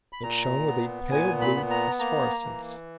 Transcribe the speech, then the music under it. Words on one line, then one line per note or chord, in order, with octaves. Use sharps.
It shone with a pale blue phosphorescence.
B5
A#2 A#5
B3
A#2 G#5
B5
B3
A#5
A#3 A#5
E3